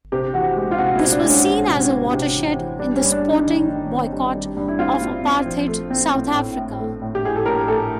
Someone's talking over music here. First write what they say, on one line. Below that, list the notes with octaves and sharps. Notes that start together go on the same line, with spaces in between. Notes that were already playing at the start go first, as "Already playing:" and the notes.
This was seen as a watershed in the sporting boycott of apartheid South Africa.
C3 G4
E3 F#4
G#3
F4
C3 F#4
E4
C3
D4
G#3 C#4
G#3
C3
C3
C3
E3
E3
G3 D4
C#4
G2
D4
G3
D#4
D#3
D#3
C4
G3
G3
G2
E4
C4 F4
C4
C4
F3
A3
C4
A2
A2
A2
A3
A2
G4
A2 G#4
A4
A2 A#4
A3 A4